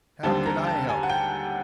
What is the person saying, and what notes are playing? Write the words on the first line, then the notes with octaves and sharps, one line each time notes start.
How could I help it?
D#2 D3 G3 C4 A5
A#5
A5
G#5
F#5
G5